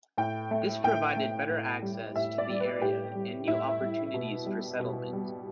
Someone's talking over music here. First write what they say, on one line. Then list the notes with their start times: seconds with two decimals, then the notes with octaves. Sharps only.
This provided better access to the area and new opportunities for settlement.
0.18 A2 G5
0.51 A3
0.84 A2 G5
1.17 A3
1.49 A2
1.83 G3
2.16 A2 E5
2.38 D5
2.49 G3
2.60 B4
2.82 A2 G4
3.15 G3
3.47 A2 E4
3.80 G3
4.14 B2
4.46 G3
4.80 B2
5.13 G3